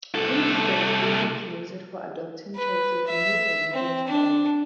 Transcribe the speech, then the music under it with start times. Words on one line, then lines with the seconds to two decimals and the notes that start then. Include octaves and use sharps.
In his sets, Digweed is noted for adopting tracks with new and different styles.
0.15 C2 A4
2.55 B4
3.07 E5
3.73 C4
4.07 D4